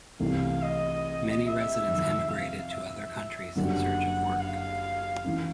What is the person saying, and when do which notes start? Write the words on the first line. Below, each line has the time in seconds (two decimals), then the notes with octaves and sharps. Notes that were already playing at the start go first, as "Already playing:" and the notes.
Many residents emigrated to other countries in search of work.
0.20 C2 C3 E3 A3 F5
0.62 D#5
1.47 E5
1.88 F2 C3 D#3 F#3
2.30 F5
2.72 E5
3.56 F#1 F#2 D3 G3 F#5
4.40 F5
5.24 E3 A3 C#4